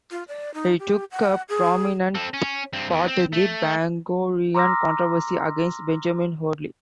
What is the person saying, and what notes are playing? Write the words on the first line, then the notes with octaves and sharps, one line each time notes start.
He took a prominent part in the Bangorian controversy against Benjamin Hoadly.
F4
D5
D#4
G4
F#5
G#4
C4 A4
C#4
G2 C4
E2
C4
A3
A#5 C6 D6 E6 F6 A#6